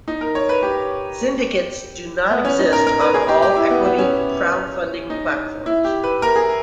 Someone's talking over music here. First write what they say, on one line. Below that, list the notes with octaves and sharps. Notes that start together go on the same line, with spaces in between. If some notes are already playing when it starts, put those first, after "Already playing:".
Syndicates do not exist on all equity crowdfunding platforms.
D#4
A#4
C#5
B4
G4
B3
C#4
D#4
A#4
A#4
B4
G#4
G4
G4
E4
B3
B3
C#4
D#4
E4
G4
B4
A#4
G#4